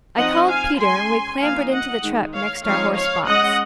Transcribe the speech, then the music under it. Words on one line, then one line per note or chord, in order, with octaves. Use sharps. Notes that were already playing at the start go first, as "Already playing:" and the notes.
I called Peter, and we clambered into the truck next our horse-box.
F3 C4 D#4 D#5 F#5
F5 G#5
G#3 C#4 G#5 C6
F3 A#3 D#4 F5 G#5
D#5 F#5
D#3 G#3 D#4
C#5 F5
F3 G#3 C4 D#4 C#5 F5
C#5 F5
G#3 C#4 D#5 F#5